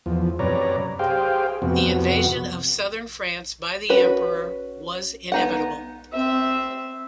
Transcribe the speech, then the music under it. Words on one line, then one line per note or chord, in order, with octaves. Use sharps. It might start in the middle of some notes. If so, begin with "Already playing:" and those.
The invasion of southern France by the Emperor was inevitable.
E2 F3
F#2 C3 B4 C#5 D5 A#5
G4 G#4 C5 F5 G5
F2 C3 B3 F#4
C#4 F#4 B4
B3 D#4 F#5
C4 E5